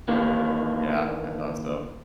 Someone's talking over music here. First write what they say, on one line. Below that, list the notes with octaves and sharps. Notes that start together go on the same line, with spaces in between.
Yeah. I thought so.
D#2 D3 E3 A#3